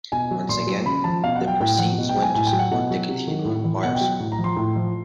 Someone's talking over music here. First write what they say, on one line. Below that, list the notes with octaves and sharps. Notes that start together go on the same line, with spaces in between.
Once again, the proceeds went to support the Cathedral Choir School.
B2 G#5
F#3
A#2 C6
F#3
C#3 B5
F3 A5
B2 F5
F#5
F#3
G5
A2 G5
F3 F#5
B2
G5
F#3
G#5
A2 G#5
G5
F#3
F#5
B2 F#5
F#3
C3
D#3 F#3
A2
E3
B2 F#5
G5
F#3
A2
A#5
F3
C6
A2
F3